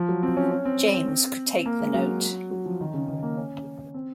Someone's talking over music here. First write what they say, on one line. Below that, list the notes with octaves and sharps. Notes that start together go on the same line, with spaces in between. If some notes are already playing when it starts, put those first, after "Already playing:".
James could take the note.
Already playing: F3
F#3
C4
C#4
C#4
C4
C4
C4
A#3
G#3
F#3
F#3
F3
D#3
C#3
D#3
A#3
C#4
C4